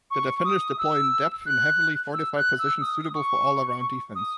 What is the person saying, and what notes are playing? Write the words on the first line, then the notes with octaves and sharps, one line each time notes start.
The defenders deploy in depth in heavily fortified positions suitable for all-around defence.
C#6
D#6
E6
F#6
E6
F#6
E6
D#6
C#6
D#6